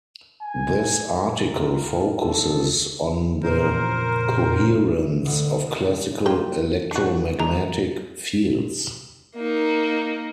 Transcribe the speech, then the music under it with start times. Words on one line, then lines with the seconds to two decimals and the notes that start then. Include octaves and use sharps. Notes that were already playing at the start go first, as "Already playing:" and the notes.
This article focuses on the coherence of classical electromagnetic fields.
0.42 G#5
1.36 A#4
2.20 A4
3.43 F2 A#2 C#3 A#4 C5
5.25 D2 A2 D3
5.67 D#2 C3
6.26 A#3 F4 G5
6.91 D4 F#4
7.39 G#3 D4 A#5
9.35 A#3 D#4